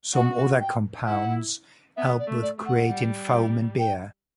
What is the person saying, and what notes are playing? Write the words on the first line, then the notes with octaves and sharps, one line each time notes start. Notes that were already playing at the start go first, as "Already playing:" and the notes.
Some other compounds help with creating foam in beer.
F#4 F#5
G5
E4 F#5
B3 E5
D5
A3
D5
A3
F#5
G3
G5